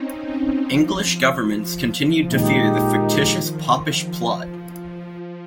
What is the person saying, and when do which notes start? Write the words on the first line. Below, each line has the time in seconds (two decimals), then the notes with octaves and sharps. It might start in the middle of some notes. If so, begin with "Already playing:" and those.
English governments continued to fear the fictitious Popish Plot.
Already playing: C4 C#4 D#4
0.28 C4
0.68 F3
2.30 A#2 D#3 G#3 D#4 G4
3.11 F3
3.52 F3
3.93 F3
5.14 F3